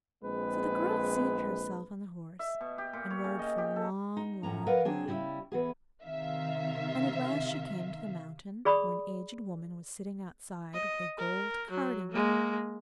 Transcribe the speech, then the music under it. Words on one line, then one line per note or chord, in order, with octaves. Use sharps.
So the girl seated herself on the horse, and rode for a long, long way, and at last she came to the mountain, where an aged woman was sitting outside with a gold carding-comb.
A#1 G#3 C4 B4
E5
B2
G4
A#2
C#5
C#3
D#5
G4
A4
D#4
F#2 A2 C#4 A#5
A#4 B4 D5 D#5 F5 F#5
F#3 C4 D4 G#4
C#3 G3 E4 D#5 E5
E3 B3 G#4
C3 D#3 E5 F5
G#4 D5 B5 C#6 D#6
D#5
A#4
F#3
G#3 A#3